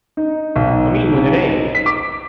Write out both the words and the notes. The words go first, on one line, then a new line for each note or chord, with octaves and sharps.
"I mean when it ain't."
D#4
B1
D#4
B6
D6